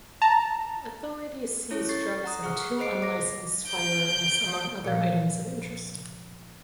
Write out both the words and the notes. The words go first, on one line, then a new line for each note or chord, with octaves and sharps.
Authorities seized drugs and two unlicensed firearms among other items of interest.
A5 A#5
C#4 E4 A4 C#5
C#6 A6 C7
F#5 A#5 D#6
G#4 F#5 C#6 F6
G#4 B4 C5 D#5 C7 D7
D6 A#6
G6 D7
A#2 F3